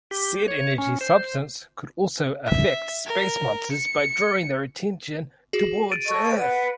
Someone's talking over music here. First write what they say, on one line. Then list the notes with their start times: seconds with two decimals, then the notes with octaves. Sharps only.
Said energy substance could also affect space monsters by drawing their attention towards Earth.
0.11 G4
0.48 C#5
0.78 C#4
1.01 C5
2.46 E5
3.06 A#4
3.72 C#7
5.53 F#4 G#4
5.92 A6 D7 D#7
6.06 A4 D#5 C#6
6.37 B4 F#5